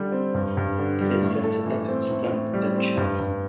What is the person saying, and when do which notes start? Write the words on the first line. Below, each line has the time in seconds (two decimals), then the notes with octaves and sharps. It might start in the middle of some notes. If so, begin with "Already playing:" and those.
It has set up its plant at Chas.
Already playing: D3 G3 A4
0.12 C4
0.34 G2
0.57 G2
0.79 D3
1.01 G3
1.22 A2
1.44 A4
1.66 E3
1.88 C4
2.10 A2
2.32 A2
2.53 G3
2.76 C4
2.97 G2
3.19 G2